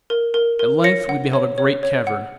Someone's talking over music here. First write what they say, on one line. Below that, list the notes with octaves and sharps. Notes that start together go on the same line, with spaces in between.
At length we beheld a great cavern.
A#4
A#4
A#4
C#5 A#6 C#7
F#5
C#5
C#5
C#5
F#5